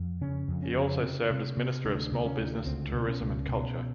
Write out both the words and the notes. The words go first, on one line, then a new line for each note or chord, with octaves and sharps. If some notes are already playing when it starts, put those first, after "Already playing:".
He also served as Minister of Small Business, Tourism and Culture.
Already playing: F2
C#3 C#4
F2
C#4
C#3
C3 C4
C3
C3
D2 D4
C3
C#4
D2
C#2 C4
B2
C#4
C#2
B2